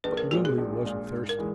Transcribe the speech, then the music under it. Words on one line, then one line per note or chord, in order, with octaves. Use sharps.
But Wimley wasn't thirsty.
A#1 B4
A#4
A#2 G#3 F#4
G#4
A#1
A#2 G#3
G#2
A#4
E3 G#3